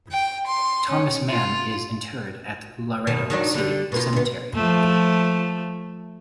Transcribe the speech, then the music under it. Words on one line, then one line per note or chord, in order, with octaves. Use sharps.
Thomas Mann is interred at Laredo City Cemetery.
G5
C6
C#4
F4
B2 D#3
D#3 F#3 D4
D3 G3
B2 A#3 F4
D2 B3
F3 A3